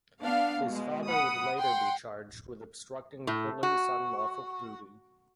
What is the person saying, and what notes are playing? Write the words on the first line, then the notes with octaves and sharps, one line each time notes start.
His father would later be charged with obstructing the police on lawful duty.
B3 D4 F5
B2 G#3
F#5 B5 D#6
F#5 G5 C6
A2
F#4